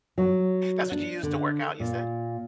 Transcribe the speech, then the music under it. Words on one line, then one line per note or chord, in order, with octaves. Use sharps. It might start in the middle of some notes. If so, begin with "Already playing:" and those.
That's what you use to work out, you said?
F#3
D4
D3
A#2